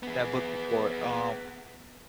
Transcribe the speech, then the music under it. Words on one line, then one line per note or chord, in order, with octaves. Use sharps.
that book before, um
B3 G#4